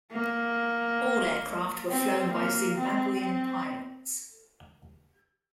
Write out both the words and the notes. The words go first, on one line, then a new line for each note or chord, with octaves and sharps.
All aircraft were flown by Zimbabwean pilots.
A#3
C4
A#3
C4
C4